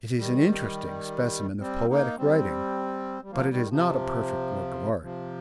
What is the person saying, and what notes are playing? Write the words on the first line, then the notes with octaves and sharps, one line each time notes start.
It is an interesting specimen of poetic writing but it is not a perfect work of art.
D#3 G3
G3 C4
A#3 D#4
G3 C4
G3
F3 A#3
D#3 G3
C3 F3
C3 F3